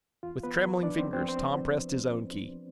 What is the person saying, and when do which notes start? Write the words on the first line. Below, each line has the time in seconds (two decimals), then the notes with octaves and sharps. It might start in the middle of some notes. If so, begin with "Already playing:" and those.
With trembling fingers Tom pressed his own key.
0.23 E2 F4
0.43 B3 B4
0.54 E2
0.83 F3 D4 D5
0.98 C4 C5
1.13 F3 C4 C5
1.28 C4 C5